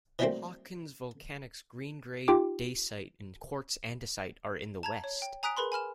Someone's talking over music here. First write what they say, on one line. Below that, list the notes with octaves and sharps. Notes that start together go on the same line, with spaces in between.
Hawkins volcanics green grey dacite and quartz andesite are in the west.
E3 F#3 G3 A3 A#3 C4
D#4 F4 G4 G5 D6
A5 A#5 G#6
C#5
G5
G#5 A#5 D#6 F#6 B6 D7
G#4 A#4 B4 B5 C6
G#5 B5 F6 E7